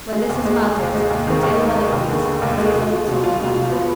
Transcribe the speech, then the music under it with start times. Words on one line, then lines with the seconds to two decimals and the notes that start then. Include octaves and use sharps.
When this is melted put in another piece and season with salt and pepper.
0.12 G#3
0.29 D#2
0.45 G#3
0.62 G#3
0.78 D#2
0.95 G#3
1.10 D#2
1.27 D#3
1.43 D#2
1.60 B3
1.76 G#3
1.93 D#2
2.09 D3
2.26 D3
2.42 D#2
2.58 G#3
2.74 B2
2.90 F4
3.07 B2
3.24 F4
3.40 B2
3.56 B2
3.72 B3